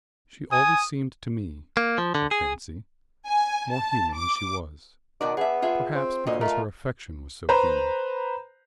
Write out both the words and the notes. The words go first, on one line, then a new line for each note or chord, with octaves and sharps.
She always seemed to me, I fancy, more human than she was, perhaps because her affection was so human.
G#5 D#6
A#3
F3
D3
G#4
G#5
A5
D6
B2 D#3 F#4 D5
B3 G#4 E5
F4 G#4 E5
C4
D2 A#2 D#5
A3 F4 A#4
B4 C5 A#5 B5